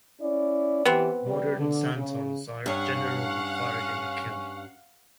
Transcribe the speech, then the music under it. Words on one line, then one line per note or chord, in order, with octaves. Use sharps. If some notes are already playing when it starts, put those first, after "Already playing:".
Modern "santons" are generally fired in a kiln.
C#4 E4 D5
E3 B3 C4 G4
G3
D3
C#3
G2 C#4 C#5 F5 F#5